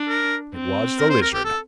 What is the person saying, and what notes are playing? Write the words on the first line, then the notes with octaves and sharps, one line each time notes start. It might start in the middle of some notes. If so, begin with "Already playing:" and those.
It was the Lizard.
Already playing: D4
A#4
C4
A#4
C5
A#4
G4
A4